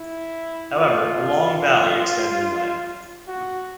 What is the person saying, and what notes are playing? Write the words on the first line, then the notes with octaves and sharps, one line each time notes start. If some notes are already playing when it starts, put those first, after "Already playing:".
However, a long valley extends inland.
Already playing: E4
F4
F#4